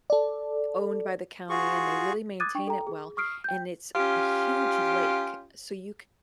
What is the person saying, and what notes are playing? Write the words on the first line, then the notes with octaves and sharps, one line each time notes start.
owned by the county, and they really maintain it well, and it's a huge lake, so you
A4 D5
F4 F#4 G#4 C#6
D6 D#6 F#6 G#6 A6 D#7
D4 G5 C#6
A4 G5 A#5
G#4
C#6 D#6 F6 C7 D7
G5 G6
C#4 F4 G4